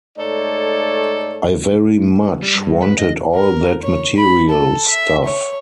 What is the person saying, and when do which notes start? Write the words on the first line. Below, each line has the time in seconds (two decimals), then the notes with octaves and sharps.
I very much wanted all that material stuff.
0.19 G#2 A3 D#4 A4 C#5 D5
2.42 G3
2.55 G2
2.82 B4
2.99 D#5
3.34 A#4
3.83 C#5
4.16 B5
4.49 A4
4.88 E5
5.24 C#5